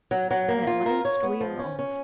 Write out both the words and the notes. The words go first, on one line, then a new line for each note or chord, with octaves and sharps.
At last we are off.
F#3
F#3
A#3
F4
A#4
C#5
B3
F3
C#4
C#4